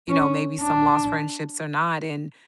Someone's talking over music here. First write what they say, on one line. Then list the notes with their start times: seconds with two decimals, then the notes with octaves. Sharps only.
you know, maybe some lost friendships or not." And,
0.09 C#4
0.61 D4